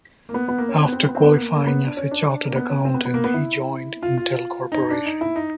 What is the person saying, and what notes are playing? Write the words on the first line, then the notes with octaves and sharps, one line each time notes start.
After qualifying as a chartered accountant, he joined Intel Corporation.
A#3
B3
B3
A#3
C#4
C4
B3
C4
B3
C4
B3
A#3
A#3
A#3
B3
D4
C#4
D4
A#3
B3
C#4
C4
B3
B3
A#3
B3
E4
F4
F4
D#4
D#4
D4
D#4
E4
D#4